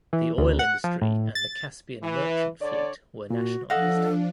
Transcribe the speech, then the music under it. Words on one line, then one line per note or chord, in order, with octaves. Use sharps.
The oil industry and the Caspian Merchant Fleet were nationalized.
E3
D2
F#5
F3
A2
A6
E3
D3 C#5 D5
A#2 F#4
F3 D4 A4 D#5 F5 F#5 E6